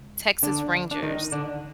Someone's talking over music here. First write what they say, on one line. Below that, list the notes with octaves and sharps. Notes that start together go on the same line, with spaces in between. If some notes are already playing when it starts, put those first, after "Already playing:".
Texas Rangers
Already playing: C#2
D3 D4
D4
D#3 D#4
D3 D4